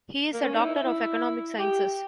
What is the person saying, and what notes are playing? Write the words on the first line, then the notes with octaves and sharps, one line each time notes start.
He is a doctor of economic sciences.
A#3
C#4
D#4
E4
E4
G4